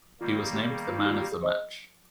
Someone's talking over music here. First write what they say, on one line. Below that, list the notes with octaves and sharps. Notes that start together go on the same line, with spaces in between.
He was named the Man of the Match.
D#3 G3 A#3 F4
G4
G4
G#4
F4
D#4
G4
F4
G4
G#4
C5 D#5